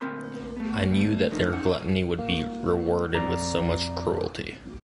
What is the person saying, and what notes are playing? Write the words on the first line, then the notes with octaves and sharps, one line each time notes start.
I knew that their gluttony would be rewarded with so much cruelty.
D2 A#2 C4 A#4 B5 C6
A3 B3
D2 G3 A3 B3
C#3 F3 A3 D4 D#4 A#4
C4 C#4 D#4 F#5
A#3
F2 D5 A#5